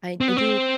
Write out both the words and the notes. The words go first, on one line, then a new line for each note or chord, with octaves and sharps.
I I do
C4
B3
C4